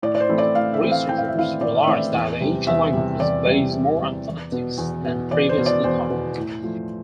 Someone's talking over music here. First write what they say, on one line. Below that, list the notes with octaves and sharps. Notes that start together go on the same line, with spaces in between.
Researchers realized that the ancient language was based more on phonetics than previously thought.
A2 D5
D5
C5
E3 A3 C4 E4
D5
A2 F5
E5
E3 A3 C4 E4
F5
A2 G5
F5
E5
E3 A3 C4 E4 F5
A2 D5
E5
E3 A3 C4 E4 D5
E2
C3 G3
E2 E5
C3 G3
E2 D5
C3 G3
E2
C3 G3
E2
B2 B3
E2
B2 B3
E2 D5
C5
B2 B3
D5
E2 C5
B2 B3
A2
F3 A3